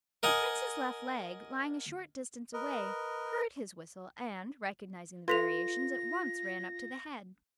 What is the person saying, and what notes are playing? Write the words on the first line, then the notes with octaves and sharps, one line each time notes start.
The Prince's left leg, lying a short distance away, heard his whistle, and, recognizing the variations, at once ran up to the head.
A#4 D#5 F#5 G#5
A#4 B4 D#5
F4 A4 B4 C6 A#6 B6 F7